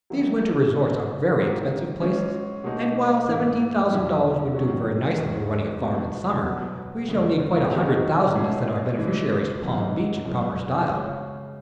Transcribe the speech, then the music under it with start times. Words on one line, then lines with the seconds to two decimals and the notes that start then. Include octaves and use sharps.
"These winter resorts are very expensive places, and while seventeen thousand dollars would do very nicely for running a farm in summer, we shall need quite a hundred thousand to send our beneficiaries to Palm Beach in proper style."
0.10 D#3 F#3 A#3 E4
0.74 C#3 E3 B3 F#4
1.37 G#2 D#3 A#3
2.01 E3 G#3 C#4 F#4
2.64 B2 A#3 D#4 F#4
3.27 G#2 E3 A#3
3.92 E2 B2 F#3 C#4 E4
4.54 D#3 F#3 C#4 F#4
5.18 E2 C#3 G#3 C#4
5.81 B2 G#3 B3 D#4 F#4
6.44 B2 F#3 B3
7.09 E2 C#3 G#3
7.72 D#3 F#3 B3 D#4 F#4
8.35 B2 G#3 C#4 E4
8.98 C#3 E3 G#3
9.62 F#2 E3 G#3 B3 D#4
10.25 F#2 C#3 G#3 B3
10.89 C#3 G#3 C#4 F#4